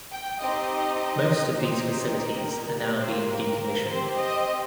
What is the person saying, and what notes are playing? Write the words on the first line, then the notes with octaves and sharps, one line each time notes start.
Most of these facilities are now being decommissioned.
G5
C4 D#4 G4 D#5
C4 D#4 G4 C5
A#4
A#3 G4 A#4
C5
A#4
C4 G4 C5
D#5